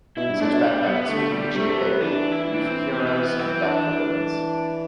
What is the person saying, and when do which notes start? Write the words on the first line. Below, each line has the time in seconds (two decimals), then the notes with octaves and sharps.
Such backpacks were individually available - blue for heroes and black for villains.
0.16 B2 E4
0.29 G2
0.40 A2 D4
0.51 B2
0.62 C3 G3
0.86 B3
1.08 D3 A3
1.32 G3
1.54 C3 A3
1.77 B3
2.01 E3 D4
2.31 E4
2.45 E4
2.54 D4
2.62 C4
2.93 C4
3.00 B3
3.07 C4
3.16 B3
3.39 C4
3.62 D4
3.84 E3